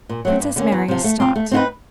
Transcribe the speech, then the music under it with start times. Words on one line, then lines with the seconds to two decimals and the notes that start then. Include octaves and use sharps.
Princess Mary stopped.
0.09 A#2
0.25 F#3 A3 C4
0.40 G2
0.56 D3 G3 A#3 C#4
0.72 E2
0.88 C3 F3
1.04 A3
1.20 C4 F4
1.36 A3
1.51 C4 D#4 F#4 B4